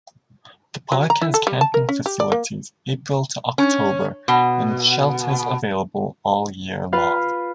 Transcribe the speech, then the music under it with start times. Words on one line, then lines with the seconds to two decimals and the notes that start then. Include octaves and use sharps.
The park has camping facilities April to October, and shelters available all year long.
0.92 F#3
1.10 A#5
1.22 E4
1.34 A4
1.47 G3
1.61 A5
1.74 A#4
1.89 C#4
2.06 G4
2.20 D5
2.32 A#3
3.58 C#4
4.28 B2
6.93 F4 B4 F5